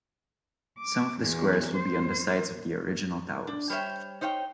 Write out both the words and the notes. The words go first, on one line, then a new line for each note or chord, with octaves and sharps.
Some of the squares will be on the sites of the original towers.
D6
E2
C5
D4
G3 C5 C#5 D#5 E5 G5
D#4 C5 C#5 F5 G5